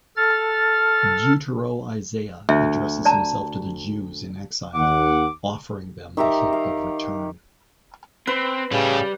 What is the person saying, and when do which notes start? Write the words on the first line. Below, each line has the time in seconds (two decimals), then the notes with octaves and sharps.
Deutero-Isaiah addresses himself to the Jews in exile, offering them the hope of return.
0.17 A4 F6 A6
2.49 D2 E5
3.05 D5 A5 A#5
4.75 D#2 F#5 D6
6.17 D#3 G4 E5 A#5
6.53 F5
8.27 C4 B4
8.72 A2 C#3 G3